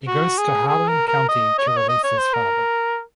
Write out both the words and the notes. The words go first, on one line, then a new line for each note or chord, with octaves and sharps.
He goes to Harlan County to release his father.
F#4
G#4
G#4
A#4
A#4
D#5
C#5
D#5
C#5
D#5
C#5
C5
A#4